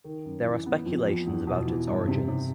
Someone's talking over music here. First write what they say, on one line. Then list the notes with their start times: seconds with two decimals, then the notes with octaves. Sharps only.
There are speculations about its origins.
0.04 D#3
0.25 F#2
0.45 E3
0.66 B3
0.86 F2
1.06 F2
1.27 E2
1.47 B2
1.67 E3
1.87 G2
2.08 C3
2.28 C3